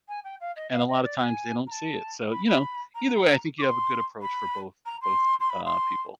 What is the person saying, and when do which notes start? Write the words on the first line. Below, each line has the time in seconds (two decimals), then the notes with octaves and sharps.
and a lotta times they don't see it, so you know, either way, I think you have a good approach for both both p uh, people.
0.08 G#5
0.24 G5
0.40 F5
0.56 D#5
0.71 F5
0.88 D#5
1.03 D5
1.19 G#5
1.67 A#5
1.71 A5
2.30 B5
2.47 B5
2.95 A#5
3.58 D6
3.61 C6
4.22 B5
4.85 A#5
5.01 C6
5.40 C6
5.49 B5
5.65 C6